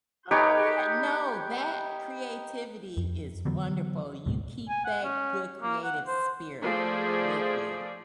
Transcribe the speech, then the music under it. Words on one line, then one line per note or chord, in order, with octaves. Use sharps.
Oh yeah. No, that creativity is wonderful, you keep that good creative spirit with you.
D#4 G4 B4 C#5
F2
D3 E3 F#3 B3
C#2 G#2 B2
G#5
F#5
C#4
A#3
F#5
C5
F3 A3 G#4 D5